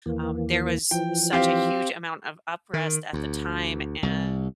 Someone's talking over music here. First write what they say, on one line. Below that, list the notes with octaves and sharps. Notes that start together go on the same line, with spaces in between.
um, there was such a huge amount of up rest at the time and,
D#2 E3 A#3
E3 F3 G5
C4 G4 F5
D#3
D2
C2